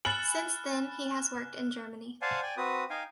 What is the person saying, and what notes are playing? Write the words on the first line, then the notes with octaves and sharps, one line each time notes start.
Since then he has worked in Germany.
G#5 B5 F6 F#6 A6 E7 F#7
C5 D5 F5 F#5 G#5 A5
D5 G5 G#5
C4 F#4 B4 D#6
D#4 F5 G5 G#5